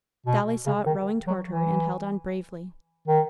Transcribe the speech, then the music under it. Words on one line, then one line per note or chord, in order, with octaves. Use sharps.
Dolly saw it rowing toward her, and held on bravely.
B2
C#3
D#3
F#3
E3
D#3